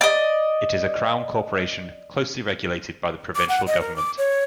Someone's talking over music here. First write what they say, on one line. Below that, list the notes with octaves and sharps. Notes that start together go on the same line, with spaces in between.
It is a Crown corporation closely regulated by the Provincial government.
D5 D#5
D6
F#5
D#5
A#4
D6
C#5